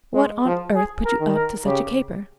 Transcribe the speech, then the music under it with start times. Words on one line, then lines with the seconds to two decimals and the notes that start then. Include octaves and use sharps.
What on earth put you up to such a caper?
0.15 G#3
0.45 F3
0.75 G#4
1.05 A#4
1.20 D#3
1.35 A#4
1.65 C#3 G4